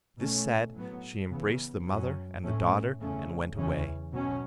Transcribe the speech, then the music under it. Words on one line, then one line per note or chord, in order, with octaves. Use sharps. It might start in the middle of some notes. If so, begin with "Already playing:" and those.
This said, she embraced the mother and the daughter, and went away.
B2 A3 C#4
A2 F#3 B3
C#3 E3 B3
F#2 F#3 C#4
A2 A3 C#4
E2 C#3 A3 C#4
E2 C#3 E3 C#4
B2 F#3 C#4